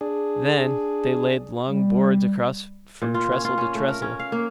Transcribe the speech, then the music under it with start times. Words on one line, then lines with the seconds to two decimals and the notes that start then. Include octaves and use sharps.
Then they laid long boards across from trestle to trestle.
0.01 D4 G#4
1.66 G3
3.02 A#2
3.14 F4
3.32 C#4
3.45 F4
3.58 C#4
3.75 A3
3.88 A#4
4.02 C#4
4.19 F5
4.32 A#3